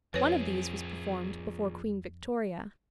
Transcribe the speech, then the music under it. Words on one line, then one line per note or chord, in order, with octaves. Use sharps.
One of these was performed before Queen Victoria.
F2 F3 G#4 B4 C#5